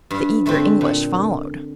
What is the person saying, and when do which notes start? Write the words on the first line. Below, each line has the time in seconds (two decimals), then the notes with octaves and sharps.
The eager English followed.
0.11 G2
0.46 D3 A3 C4
0.81 A#2